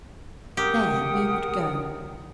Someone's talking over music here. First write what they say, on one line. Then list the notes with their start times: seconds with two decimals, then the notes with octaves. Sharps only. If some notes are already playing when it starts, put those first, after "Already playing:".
There we would go.
0.57 G4 A#4 F#5 G5 D#6